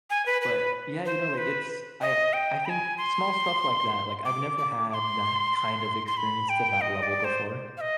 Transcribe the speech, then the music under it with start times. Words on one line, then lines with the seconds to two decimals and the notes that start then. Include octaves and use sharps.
But, yeah, you know, like, it's I I think small stuff like that, like, I've never had that kind of experience to that level before.
0.10 G#5
0.26 B4
0.42 B4
1.06 C5
1.37 B4
2.01 D#5
2.33 G5
2.65 B5
2.69 G#5
2.98 C6
4.25 D6
4.58 D6
4.89 D6
4.94 C6
6.07 C6
6.17 B5
6.49 G5
6.81 D#5
7.02 D5
7.24 C5
7.77 F5
7.81 D#5